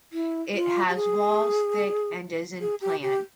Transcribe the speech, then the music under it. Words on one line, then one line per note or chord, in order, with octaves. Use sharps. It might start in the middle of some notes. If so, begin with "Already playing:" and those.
It has walls thick and is in plan.
E4
F4
G4
G#4
G#4
G4
G4